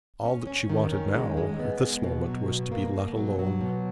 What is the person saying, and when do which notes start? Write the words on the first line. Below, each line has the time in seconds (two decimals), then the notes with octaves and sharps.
All that she wanted now, at this moment, was to be let alone!
0.25 C#4
0.47 C#4
0.70 D#3
0.92 C#4
1.14 G#3
1.37 G#3
1.60 B3
1.81 G#3
2.03 B2
2.26 F#3
2.48 B2
2.72 A#3
2.93 B2
3.16 F#3
3.39 F#3
3.61 B2